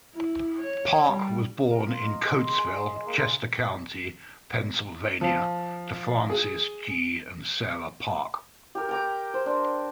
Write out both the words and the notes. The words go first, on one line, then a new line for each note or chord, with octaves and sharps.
Parke was born in Coatesville, Chester County, Pennsylvania, to Francis G. and Sarah Parke.
E4
C#5
G3
A#4
F4
D#5
G#3
C6
G#5
G#4
G#3
A#3
F3
G#4
G4 A#4
G5 A#5 D6
C5
D4